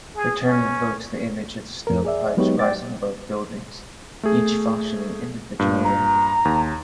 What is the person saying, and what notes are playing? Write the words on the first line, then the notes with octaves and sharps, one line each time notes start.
The term evokes the image of stovepipes rising above buildings, each functioning individually.
G#4
C#4
F2 A#4
G#4 D5 E5
F#3 G#3 B3 D#4 G4 C#5
D5 G5 D6 A6
A3 G#4
G2 A#2
A#5
D#2